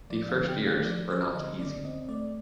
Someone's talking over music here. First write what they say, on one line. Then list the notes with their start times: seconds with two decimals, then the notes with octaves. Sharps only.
The first years were not easy.
0.10 F3 D5
0.29 F5
0.36 D3
0.48 G5
0.60 A3
0.66 F5
0.85 F3 D5
1.09 F3 C5
1.34 D3 D#5
1.59 D3 D5
1.85 C4 D#5
2.09 A3 D5